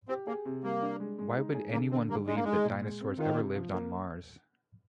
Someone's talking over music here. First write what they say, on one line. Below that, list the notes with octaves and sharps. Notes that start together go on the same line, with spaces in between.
Why would anyone believe that dinosaurs ever lived on Mars?
C4 G4
A#3 G#4
C3
G3 A#3
D4
G#3
G#3
D#4
G#4
D3 A#3
D3 C4
G3 A#3
G#3 D4
A#3
G#3 D#4
A#2
G#3
C4
D#3 F4
C3
F3
A#3